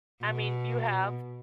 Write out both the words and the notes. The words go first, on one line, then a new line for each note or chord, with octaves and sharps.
I mean, you have
B2